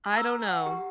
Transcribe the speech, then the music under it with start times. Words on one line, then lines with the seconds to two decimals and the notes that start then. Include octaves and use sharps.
I don't know.
0.13 A#5 E6
0.48 F#5
0.66 G4